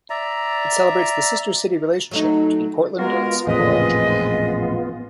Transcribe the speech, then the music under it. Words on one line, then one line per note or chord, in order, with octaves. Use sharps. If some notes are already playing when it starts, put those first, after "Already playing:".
It celebrates the sister city relationship between Portland and Sapporo, Japan.
D5 E5 A#5
F#3 A3 D#4
G#3 B3 F4 F#4 A#4
A1 F2 A#2 G#3 C4 B4 D#5